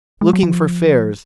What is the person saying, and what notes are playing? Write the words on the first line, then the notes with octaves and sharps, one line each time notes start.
Looking for fares.
G#3
F#3
F3